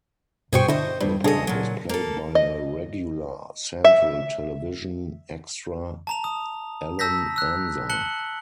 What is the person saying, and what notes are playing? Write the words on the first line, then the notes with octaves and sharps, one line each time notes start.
The part was played by a regular Central Television extra Allan Anza.
G2 B2 G#4 C5 G5 C#6
D3 D4 E4 C5 D#5
G2 G3
C#3 D4 G#4 A4 D#5
A#2 F#3
A#3 A4
D#5
E5
A5 A#5 F7
D#6
A5 E6 G6 A#6 B6
E6 F#6
A5 F#6 C#7 F#7 G7